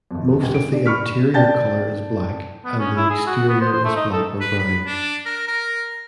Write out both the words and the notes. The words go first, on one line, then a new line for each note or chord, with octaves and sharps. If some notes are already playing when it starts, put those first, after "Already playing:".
Most of the interior color is black and the exterior is black or brown.
G#1 F2
D#1
D7
D4 D5
D5 B5 C#6 F6 B6
D5 G5 A5 G6 A6
B3
C#4
E4
G#4
F#4
B3
C5
C5
A3
D#4
A4
B4
B5
D4
A#4
A#4